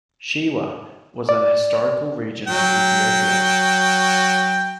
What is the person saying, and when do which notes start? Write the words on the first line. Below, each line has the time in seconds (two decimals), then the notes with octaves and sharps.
Shewa was an historical region of Ethiopia.
1.29 D5
2.47 F#3 G5